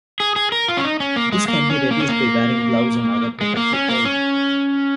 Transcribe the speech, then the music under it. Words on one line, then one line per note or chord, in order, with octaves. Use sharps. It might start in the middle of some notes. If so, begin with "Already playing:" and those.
This can be reduced by wearing gloves and other protective clothing.
G#4
G#4
A#4
F4
C#4
D#4
C#4
A#3
G#3
A#3
C#4
A#3
C#4
A#3
G#3
A#3
C#4
A#3
C#4